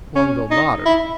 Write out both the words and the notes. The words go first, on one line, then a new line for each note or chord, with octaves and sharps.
Longbill nodded.
C#4
D#4
E4